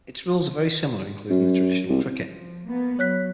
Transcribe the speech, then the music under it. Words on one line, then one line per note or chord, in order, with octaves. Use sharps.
Its rules are very similar including the traditional cricket.
F#2
C2
F3
A#3 B3
F#3 C#5 F#6 B6